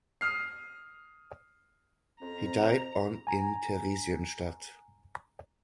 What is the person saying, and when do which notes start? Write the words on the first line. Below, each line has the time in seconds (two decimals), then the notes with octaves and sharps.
He died on in Theresienstadt.
0.21 D#6 F6 C7
2.22 F2 C4 A#5
3.27 G#5 A#5